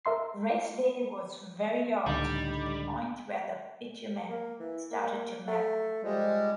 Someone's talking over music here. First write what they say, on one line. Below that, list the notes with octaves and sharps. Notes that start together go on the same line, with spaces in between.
Race day was very hot, to the point where the bitumen started to melt.
A#4 E5 C6 C7
C#2 A2 D3 G3 D#4
A#3
E3
A#3
A3
F3 G3 G#3